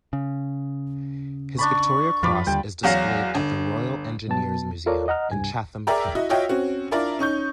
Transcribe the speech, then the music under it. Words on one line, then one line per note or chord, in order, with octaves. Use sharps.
His Victoria Cross is displayed at the Royal Engineers Museum in Chatham, Kent.
C#3
D4 D5 B5 C#6
F2 F3 F4 B5 D6
D#2 D3 G3 G5
E2 F#3 F#4 F5 A#6
G1
B2 F#3 B3 A5
F4 A4 A#4 C#5 D5
D#5 F#5 A#5 F6
C2 G2 G#5
G#4 A#4 D5 E5 G5 A#5
E4 F#4 D#5
F4 F#4 C#5 D#5 E5 G5
C4 C#4 F#4
D4 E4 F4 A#4 D5
C#4 D#4 C#6 G6